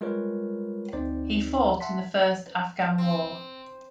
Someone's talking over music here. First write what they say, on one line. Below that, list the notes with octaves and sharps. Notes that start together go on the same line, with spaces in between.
He fought in the First Afghan War.
G3 G#3 F4 A#4 B4 C#5
D2 C4 D#4 C5 D5
E5 F#5 A5 C6 B6
C4